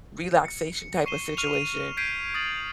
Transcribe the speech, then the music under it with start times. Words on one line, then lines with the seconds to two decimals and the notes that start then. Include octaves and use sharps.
relaxation type of situation.
0.45 C#7
1.06 C#6 C7 D#7 E7 G7
1.37 C#6 F6 D#7 F7
1.54 D#7
1.97 G6 G#6 B6 C7 D7 D#7
2.34 D#6 F6 A6 D#7 F#7